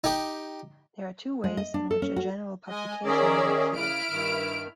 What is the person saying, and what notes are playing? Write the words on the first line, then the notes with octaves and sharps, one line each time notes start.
There are two ways in which a general publication may occur.
D#4 G4
G#3
D#5
D4
A4
C#4
F#4
G#3 D#5 G#5
D#3 C#4 G#4 A#4 D5 E5
C#3 E4 F6 D7
G2 D#3